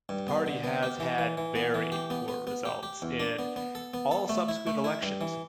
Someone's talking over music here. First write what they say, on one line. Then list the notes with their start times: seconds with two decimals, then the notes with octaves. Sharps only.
The party has had very poor results in all subsequent elections.
0.09 G2
0.28 B3
0.46 D3
0.64 B3
0.83 G4
1.00 E3
1.18 E3
1.37 E3
1.55 B3
1.74 E3
1.92 G4
2.10 B3
2.28 B3
2.47 B3
2.65 G4
2.83 G4
3.02 E2
3.20 D4
3.39 B3
3.56 B3
3.75 A4
3.94 B3
4.11 A4
4.29 A3
4.48 E4
4.67 A3
4.84 E4
5.03 G2
5.21 E3